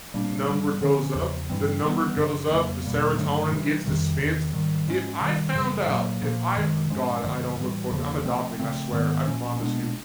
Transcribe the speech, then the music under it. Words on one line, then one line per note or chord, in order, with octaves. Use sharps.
number goes up, the number goes up, the Serotonin gets dispensed. If I found out, if I uh, God, I don't look for I'm adopting, I swear, I promise you,
A#2 G3 A#3 D4
G2 E3 G3
D3 F3 A3 C#4
E2 C#3 F3
G2 E3 G3 C4
C3 E3 G3 B3
F#2 C#3 F3
F2 C#3 F#3 A#3
E2 B2 G3 A#3
G2 D3 F#3 A3
C3 E3 G3
F2 C3 D#3 G3
E2 C3 D#3
G#2 D#3 G3
G#2 F3 G#3 C#4
C3 D#3 G3
F#2 C#3 E3 G3
A#2 F#3 A#3
A#2 F3 A#3
F#2 D#3 G#3
G#2 F3 G#3 C#4
F#2 D3 F3 G#3
A2 E3 G3
E2 C#3 F3 A#3
C3 F3 A3 C4
C#3 F3 A3 C4
G#2 D#3 G#3 B3
A#2 F3 A#3 C#4
B2 G#3 B3 D4